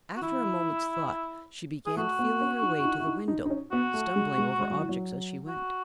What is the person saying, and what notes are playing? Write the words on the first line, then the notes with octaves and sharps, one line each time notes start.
After a moment's thought she began feeling her way to the window, stumbling over objects as she went.
F#4
E3 E4
G#4
A3 F#4
B3
C#4
D#4
E4
D#4
E4
D#4
D#4
D#4
C#4
B3 F#4
A3
G#3
G#3
G#3
F#3
E3
F#3
F#4